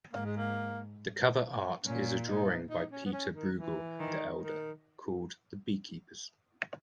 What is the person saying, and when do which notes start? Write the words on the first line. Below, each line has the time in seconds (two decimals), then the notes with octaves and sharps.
The cover art is a drawing by Pieter Bruegel the Elder called "The Bee-Keepers".
0.13 G#2 A#3
0.26 G#3
0.37 A#3
1.85 A#2 C#4
2.27 D#4
2.70 D#4
2.92 C#4
3.06 B3
3.13 C#4
3.35 D#3
3.56 E3
3.99 D#3
4.42 D#3